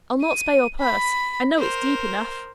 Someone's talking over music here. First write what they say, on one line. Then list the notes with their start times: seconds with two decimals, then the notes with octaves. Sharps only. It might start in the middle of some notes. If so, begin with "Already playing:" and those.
I'll not spare your purse,--I know it's deep enough.
0.21 D#7
0.79 B5
1.58 A#4 C5